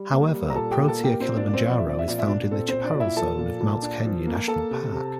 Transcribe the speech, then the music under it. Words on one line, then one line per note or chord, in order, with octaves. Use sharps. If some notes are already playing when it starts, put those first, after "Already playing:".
However, "Protea kilimanjaro" is found in the chaparral zone of Mount Kenya National Park.
Already playing: G3
A#3
G3
A#5
A#2 A4 A5
G4 G5
A#3
A4 A5
A#3
G4 G5
A#4
A#2 C4 C5
D4 D5
A#2
D5
C4 C5
F3
D5
E5
C4 D5
E5
A#2 D5
E5
A#2 D4 D5
C4 A4
A#2 C4 C5
D4 D5
A#2
E4 E5
F3 A4 A5
A#2
A#2
D4
F3
A#3
A#3 A4 A5
C3
C3